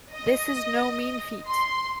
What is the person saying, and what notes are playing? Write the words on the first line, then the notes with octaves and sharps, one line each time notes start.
This is no mean feat.
D#5
C6